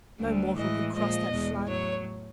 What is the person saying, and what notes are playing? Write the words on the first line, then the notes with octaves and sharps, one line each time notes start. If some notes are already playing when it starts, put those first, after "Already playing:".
'No mortal could cross that flood.
D2 D3 G3
A2 E3 G#3 D#5
A#2 F3 G#3 D#5
E2 B2 G#3
A2 F#3 C#5